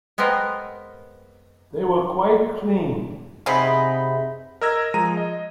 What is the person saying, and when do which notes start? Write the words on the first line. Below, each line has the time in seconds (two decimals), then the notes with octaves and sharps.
They were quite clean.
0.18 G#3 B3 C4 A#4 D#5
3.46 C3 B3 C4 D#4 G#4 E5 B5
4.61 A#4 D#5 E6 G#6 A#6
4.94 F3 G#3 A#5 D#7
5.17 D#5